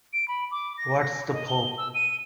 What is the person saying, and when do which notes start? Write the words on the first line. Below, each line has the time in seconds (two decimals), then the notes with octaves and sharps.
What's the Pope?
0.13 D7
0.28 B5
0.51 D6
0.78 A#6
1.00 A#6
1.32 D#5
1.48 G7
1.78 E6
1.94 D#7